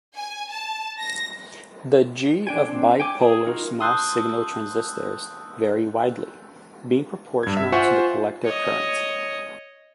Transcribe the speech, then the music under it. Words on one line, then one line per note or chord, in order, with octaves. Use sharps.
The g of bipolar small-signal transistors varies widely, being proportional to the collector current.
G#5
A5
A#6
D4 G5 G#5
C4 D4
G5 G#5 D6
G#4
D#4 F4 F#4 A#4
A5 C6 D#6 E6 F#6 G6
G2 G#6
E5
F4 C5 E5 F#5 G#5 C#6
C#5 D#5